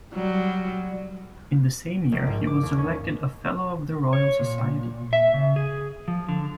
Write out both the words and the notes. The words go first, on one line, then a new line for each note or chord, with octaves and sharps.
In the same year he was elected a Fellow of the Royal Society.
F#3 G3
A#1
G#2
D6
D#2
C#4
C#5
A#2
E5
C#3
G#4
F3
D3